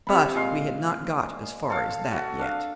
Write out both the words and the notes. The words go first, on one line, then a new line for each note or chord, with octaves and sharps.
But we had not got as far as that yet.
C3 B5
A#2 G#3 F5 C6
A4 F5
F#4
D4 F5